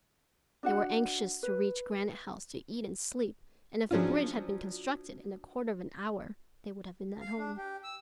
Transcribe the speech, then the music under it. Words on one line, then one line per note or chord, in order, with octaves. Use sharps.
They were anxious to reach Granite House to eat and sleep, and if the bridge had been constructed, in a quarter of an hour they would have been at home.
D4 F#4 F#5
B4
F3 F#3 C#4 D4 F4
F5
D4
G4
E6